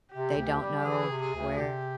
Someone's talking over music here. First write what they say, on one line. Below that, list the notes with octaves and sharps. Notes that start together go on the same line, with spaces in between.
they don't know where,
C3 G4
D2
G3
E3 G#4
C3
G#4
D2
C3 G4